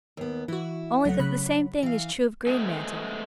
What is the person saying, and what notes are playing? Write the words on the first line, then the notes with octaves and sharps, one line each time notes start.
'Only that the same thing is true of Greenmantle.
D#2 B3
E3 E4 F#4
C#2 F#3 A3 F#5
C#3 B5 F#6
E3 F5
G#3 A3 B3 C4 G#4